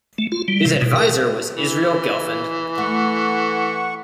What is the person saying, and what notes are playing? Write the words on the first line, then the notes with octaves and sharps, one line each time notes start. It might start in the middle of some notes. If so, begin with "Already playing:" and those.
His adviser was Israel Gelfand.
A3
F4
G3
C3
B2
A#4
E3
A3 F#5 C#6